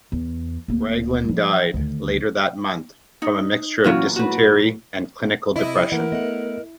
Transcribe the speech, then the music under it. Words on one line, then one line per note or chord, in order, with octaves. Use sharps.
Raglan died later that month from a mixture of dysentery and clinical depression.
E2
D1 A#3
F3 G3
D2 D#3
D#4
A#2 E3 F#3 C#4 F4 F#4
F#4 B4
C3 E4 D#5
E3 A3 A#3 A#4 F#5
A3 B3 D#5 F#5